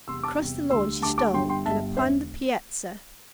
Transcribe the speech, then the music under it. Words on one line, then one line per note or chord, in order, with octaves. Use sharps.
Across the lawn she stole, and upon the piazza.
E2 C3 G3 C6 E6
A5 D6
E2 C3 G3
D2 D3 G3 C6 E6
D2 D3 G3 A5 D6
A5 D6
G1 G2 D3 G3 G5 C6
G5 C6
G1 G2 D3 G3 E5 A5
E1 D3 C5 E5